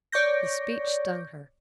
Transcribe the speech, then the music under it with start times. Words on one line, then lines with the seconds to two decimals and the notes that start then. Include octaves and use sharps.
The speech stung her.
0.12 C#5 D5 C#6 G6 A#6